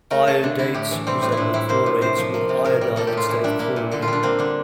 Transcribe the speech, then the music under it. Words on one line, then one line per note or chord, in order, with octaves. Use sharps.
Iodates resemble chlorates with iodine instead of chlorine.
A3 A#4
A3 A4
D3 D4
D3 E4
A2 G4
E3
G3 C4
A2 C4
E4
A2 D4
G3 E4
A#3 C5
A2
C3 C5
F3
A#3
C3
A2 A#4
G3
A#3 A4
G4
A2 F4
A#2 E4
G3 D4
A#3 E4
A#2
D3 A4
F4
G3 D4
A#3 C4
D3 D4